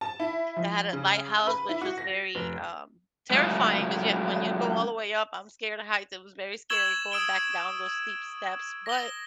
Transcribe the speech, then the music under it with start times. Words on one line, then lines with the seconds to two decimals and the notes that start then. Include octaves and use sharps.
That had a lighthouse, which was very, um, terrifying, 'cause yeah, when you go all the way up- I'm scared of heights- it was very scary going back down those steep steps, but
0.01 A5
0.20 E4
0.56 F3
0.93 C#3
1.47 B4
1.69 E4
1.81 F#4
1.98 A#6
2.35 F1
3.31 F#3 G#3 A3 C#4
6.70 C#6 E6 G#6 E7 F#7 G7
7.12 D#6 E6 D7 E7 G7
8.86 A#6 G7